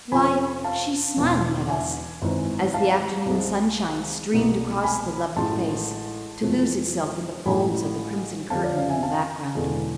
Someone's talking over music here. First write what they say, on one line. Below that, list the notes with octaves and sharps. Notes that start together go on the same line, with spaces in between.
"Why, she's smiling at us," as the afternoon sunshine streamed across the lovely face, to lose itself in the folds of the crimson curtain in the background.
F2 C3 F3 G#5 B5
F5 A5
E1 E2 B2
E5 G#5
G#1 G#2 E3
F5 A5
C2 C3 G#3
C2 B2 A3
G#5 B5
A1 A2 G#3 A5 C6
F2 C3 E3 G#3
A1 A2 F3 G#3 G#5 B5
F2 D3 F3 F5 A5
D5 F5
D5 F5
E5 G#5
F5 A5
E1 E2 D3 G#3